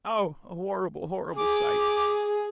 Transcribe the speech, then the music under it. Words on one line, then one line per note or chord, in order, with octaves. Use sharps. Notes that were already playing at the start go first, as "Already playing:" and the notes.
O! a horrible, horrible sight!'
G#4 D6